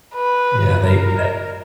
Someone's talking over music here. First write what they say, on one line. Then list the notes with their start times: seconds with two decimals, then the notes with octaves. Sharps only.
Yeah, they tha
0.15 B4
0.84 A#4